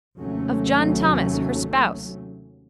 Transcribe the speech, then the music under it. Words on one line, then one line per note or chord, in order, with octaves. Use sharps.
Of John Thomas, her spouse.
D#2 C3 F#3 A3 C#4